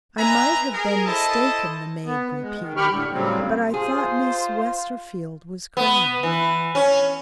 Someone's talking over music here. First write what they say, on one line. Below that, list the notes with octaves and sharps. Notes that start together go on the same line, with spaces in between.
"I might have been mistaken," the maid repeated--"but I thought Miss Westerfield was crying."
B3 D#4 B4 E5 G#5 A#5
G#4 A#4
E4 A4 C5 D#5 A5
B3
G#3
D#3
G4 G5 B5 C#6 F6
A2 D3
A2 C#3 F#3 G3 C4
F4 G#4 C5
B3
E3
C#4